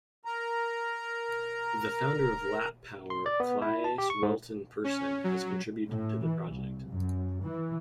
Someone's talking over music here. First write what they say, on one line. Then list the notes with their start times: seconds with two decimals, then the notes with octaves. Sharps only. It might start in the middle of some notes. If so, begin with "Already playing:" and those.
The founder of Lap Power Claes Wellton-Persson has contributed to the project.
0.25 A#4 A#5
3.10 C6
3.26 D5
3.40 B3
3.62 E4
3.84 A5
3.98 G4
4.10 C#6
4.23 G#2
4.84 C#4
5.24 F#3
5.89 A2
6.23 E3
6.52 C2
6.89 F#2
7.43 E3